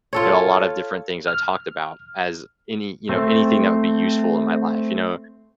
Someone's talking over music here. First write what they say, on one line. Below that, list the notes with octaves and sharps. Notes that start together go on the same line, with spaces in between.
you know, a lot of different things I talked about as any, you know, anything that would be useful in my life, you know?
F4 A4 C#5
F6
A3 C4